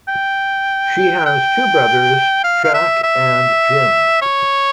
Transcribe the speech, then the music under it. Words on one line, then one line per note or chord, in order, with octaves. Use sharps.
She has two brothers, Jack and Jim.
G5
G5
F5
F5
E5
E5
C#5